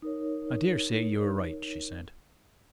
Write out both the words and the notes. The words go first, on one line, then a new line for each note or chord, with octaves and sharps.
"I daresay you are right," she said.
D#4 A#4 C#5